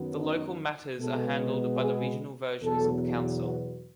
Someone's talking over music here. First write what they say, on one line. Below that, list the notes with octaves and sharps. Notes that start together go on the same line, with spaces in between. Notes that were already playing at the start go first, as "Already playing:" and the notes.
The local matters are handled by the regional versions of the council.
Already playing: F#2 D#3 F#3 B3
D#4
B2 G#3 B3 A4
G#4
E2 B2 F#3 B3 A4
F#4